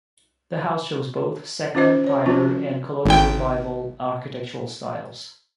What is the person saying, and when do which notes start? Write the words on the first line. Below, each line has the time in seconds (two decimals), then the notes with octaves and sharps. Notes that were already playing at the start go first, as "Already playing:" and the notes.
The house shows both Second Empire and Colonial Revival architectural styles.
1.75 C#4 F4 C5 D#5
2.07 C#5
2.26 F3 C4 C#4 F4 F#4
3.06 G#1 G5